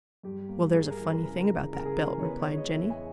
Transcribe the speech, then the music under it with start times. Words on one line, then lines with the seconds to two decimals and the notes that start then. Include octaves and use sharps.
"Well, there's a funny thing about that bill," replied Jenny.
0.23 G2 G4
0.48 A#3
0.73 G2 G#4
0.90 A#4
0.99 E3
1.07 A#4
1.16 B4
1.23 C#3 A#4
1.48 G#3
1.73 C#3 A#4
1.85 G#4
1.96 E3 A#4
2.19 C#5
2.23 B3 B4
2.41 C#5
2.49 G#3
2.57 D#5
2.73 E2 E5
2.90 G#5